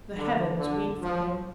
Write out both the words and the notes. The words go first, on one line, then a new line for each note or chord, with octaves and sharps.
The heavens weep for him.
D3
D3
F3